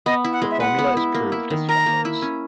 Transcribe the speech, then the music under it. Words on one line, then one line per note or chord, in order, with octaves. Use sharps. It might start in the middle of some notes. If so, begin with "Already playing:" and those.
The formula is proved as follows.
B3 D#5
E4
F#5
G#3
E5
B4 F#5
B3
E4
A#3
E4
D#3
A#4 A#5
A#3
E4
C#4